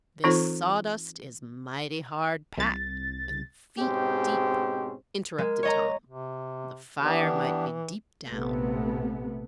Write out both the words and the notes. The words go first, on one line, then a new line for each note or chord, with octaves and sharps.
"This sawdust is mighty hard-packed, and feet deep," interrupted Tom. "The fire might be deep down."
E3 C4 D#4 F4 A4 C5
C2 A6
G#2 B2 C4 C#4 G4 G#4
G#3 A#4
C#5 D#5 A#5
C3
E3 B3 D4 G4
A#1 C3 A3 B3